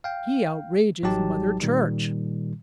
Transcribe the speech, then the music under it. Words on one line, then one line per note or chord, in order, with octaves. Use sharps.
"He outrages Mother Church."
F5 G5
A1 F#3 G3 D#4 G4 A5
A#2 D#3 G3